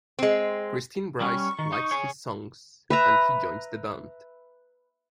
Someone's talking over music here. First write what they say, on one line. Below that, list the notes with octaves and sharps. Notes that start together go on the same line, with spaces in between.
Christine Brice likes his songs, and he joins the band.
G#3 C4
G3 C#4 C#6
D#3
D#4
G#4 C#5
B4 E5 A#5